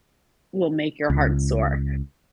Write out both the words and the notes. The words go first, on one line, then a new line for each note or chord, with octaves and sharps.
will make your heart soar,
C#2